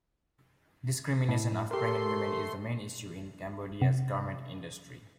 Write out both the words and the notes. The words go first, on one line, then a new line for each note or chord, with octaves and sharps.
Discrimination of pregnant women is the main issue in Cambodia's garment industry.
A2
A3 G4 A#4 C6
C3